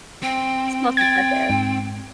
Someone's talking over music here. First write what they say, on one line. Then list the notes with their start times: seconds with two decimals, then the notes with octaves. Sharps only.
Smell some fresh air.
0.23 C4 G5
0.97 G5 G#6 A6
1.50 G#2